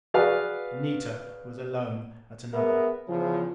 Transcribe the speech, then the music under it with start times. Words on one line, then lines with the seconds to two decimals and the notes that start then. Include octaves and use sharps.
Anita was alone at another.
0.14 F#4 G#4 B4 D5 F5
2.54 B3 G#4 A#4 E5
3.08 E2 C#3 F3